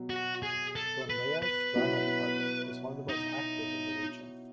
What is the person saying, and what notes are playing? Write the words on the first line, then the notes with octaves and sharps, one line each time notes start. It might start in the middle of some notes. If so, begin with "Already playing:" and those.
Thornlea's Drama Department is one of the most active in the region.
Already playing: B2 F#3
F#4
G#4
A4
B4
B4
B2 F#3 C#4 E4
D#4